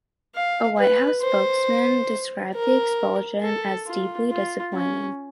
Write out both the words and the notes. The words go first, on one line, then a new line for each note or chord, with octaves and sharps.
A White House spokesman described the expulsion as "deeply disappointing".
F5
B4
C5
A#4
A4
F4
F4
C#4